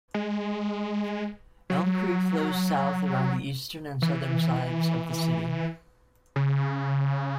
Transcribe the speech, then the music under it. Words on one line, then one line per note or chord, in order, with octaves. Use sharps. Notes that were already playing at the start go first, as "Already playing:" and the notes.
Elm Creek flows south around the eastern and southern sides of the city.
G#3
F#3
E3
C#3